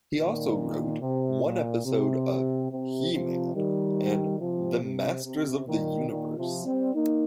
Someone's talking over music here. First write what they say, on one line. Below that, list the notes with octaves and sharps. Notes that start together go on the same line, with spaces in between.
He also wrote one episode of "He-Man and the Masters of the Universe".
A#2 D#3
C3
A#2
C3
C3
C3 F3
D#3 G3
C3 F3
C3
C3
A#2 D#3
A#2 D#3
C3 F3
G3 C4
A#3 D#4